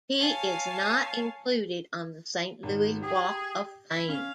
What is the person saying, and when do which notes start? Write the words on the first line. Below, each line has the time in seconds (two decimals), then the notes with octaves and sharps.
He is not included on the Saint Louis Walk of Fame.
0.18 C#5 F5 G#5 A5
2.63 G#1
3.03 G4 G#4
3.89 E4
4.09 C#4 F5